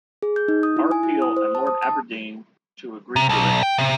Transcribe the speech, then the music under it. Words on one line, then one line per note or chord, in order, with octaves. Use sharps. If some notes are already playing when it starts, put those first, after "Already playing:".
R. Peel and Lord Aberdeen to agree to it.
G#4
G6
D#4
D#6
E4
G#5
E4
D#6
C5
A5
D#6
A5
C3
B1
G5
C3